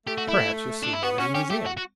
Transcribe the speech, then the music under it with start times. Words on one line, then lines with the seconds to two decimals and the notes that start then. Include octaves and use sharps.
Perhaps you have seen one in a museum.
0.07 A3 G4
0.18 F#4
0.29 E4
0.83 D4
0.93 E4
1.02 B3 F#4
1.18 C#4 F#4
1.34 C#4 G4
1.50 A3 G4
1.66 F#4
1.77 F#4